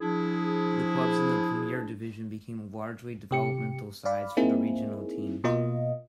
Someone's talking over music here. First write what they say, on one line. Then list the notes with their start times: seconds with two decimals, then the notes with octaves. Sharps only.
The clubs in the Premier Division became largely developmental sides for the regional teams.
0.01 F3 D4 E4 G#4
3.31 C3 G4 C#7
4.05 D5 F5 B5
4.37 A#3 C4 D#4 E4 G#4
5.44 B2 A#3 F4 D#5